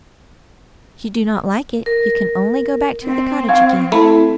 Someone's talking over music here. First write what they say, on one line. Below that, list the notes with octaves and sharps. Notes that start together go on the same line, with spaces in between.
If you do not like it, you can only go back to the cottage again.
A#4
C4
F5 C#6 G#6
A3 E4 B5